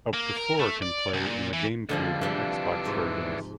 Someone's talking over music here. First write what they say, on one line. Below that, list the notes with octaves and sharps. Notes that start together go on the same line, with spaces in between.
Up to four can play in the GameCube and Xbox versions.
A#3
A#4
A3
D5
C2
A#2
E3
C#2 D3 F3 G3 G#4
C3 E3 F3 G3 D4
G#2